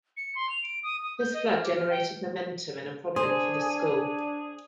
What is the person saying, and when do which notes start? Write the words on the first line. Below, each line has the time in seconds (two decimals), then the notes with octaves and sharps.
This flood generated momentum and a problem for the school.
0.17 C#7
0.35 C6
0.50 F7
0.63 D7
0.83 D#6
1.02 D#6
1.20 G6
1.34 D#5
1.50 F6
1.63 D6
1.76 F6
1.90 G5
3.16 D4 G#4 C5